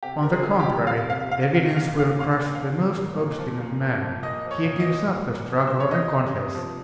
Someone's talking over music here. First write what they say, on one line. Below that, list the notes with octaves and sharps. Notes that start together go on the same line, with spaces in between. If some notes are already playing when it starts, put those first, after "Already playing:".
On the contrary, evidence will crush the most obstinate man; he gives up the struggle, and confesses.
C3 G4
F3 A#4
G#4
C3
G4
F3
C3 F5
C3 F5
C3 F5
C3 F5
A#2
F5
A#2
F5
A#2
F5
A#2
F3 F5
A#2
A#2
A#2
F3
A#2
F3
F3
A#2 D#5
F3
C#5
A#2
D#5
F3
A#2
A#2
F3
F3 C5
C#5
C3 D#5
C3
C3
F3